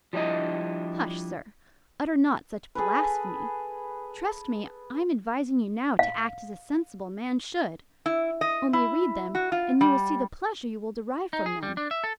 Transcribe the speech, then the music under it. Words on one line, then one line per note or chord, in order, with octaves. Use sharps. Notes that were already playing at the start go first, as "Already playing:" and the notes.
Hush, sir; utter not such blasphemy; trust me I am advising you now to act as a sensible man should; only read them, and you will see the pleasure you will derive from them.
F3 G3 D4 E4 D#5
G#4 A4 B4
F5
E4
D#5
E4
F#4
F4
G3
D#4
G#4
G3
D4
E5
A4